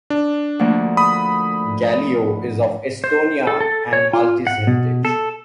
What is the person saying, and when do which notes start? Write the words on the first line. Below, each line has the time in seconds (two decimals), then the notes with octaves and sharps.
Galea is of Estonian and Maltese heritage.
0.10 D4
0.59 D2 F3 A#3
0.97 B5 D#6
3.04 C5
3.47 A4
3.60 A4
3.93 C#5
4.13 F4
4.47 F#5
4.67 B2
5.05 A4